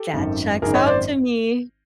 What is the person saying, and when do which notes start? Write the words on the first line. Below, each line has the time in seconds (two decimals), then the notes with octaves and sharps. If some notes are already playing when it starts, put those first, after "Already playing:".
That checks out to me.
Already playing: G4 A4
0.13 G#1 F#2 D#3
0.62 G#1 F#2 D#3 G#4 A#4
0.74 C#5 D#5
0.86 C5 D5